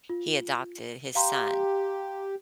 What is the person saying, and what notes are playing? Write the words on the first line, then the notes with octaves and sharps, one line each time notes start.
he adopted his son,
F4
G4 F5 A#5 C6